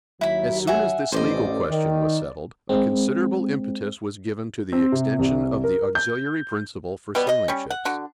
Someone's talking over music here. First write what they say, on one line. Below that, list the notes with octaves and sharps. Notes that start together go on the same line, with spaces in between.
As soon as this legal question was settled a considerable impetus was given to the extension of the auxiliary principle for sailing ships.
D#2 F#3 E4 B5
E5 F#5 G#5
A1 C5 D5 D#5
D#3
G#3 C4
C4
C3
C2
A#4
G6
B2 G3 B3
D#5
G3 C#4
F#5
D3 F#4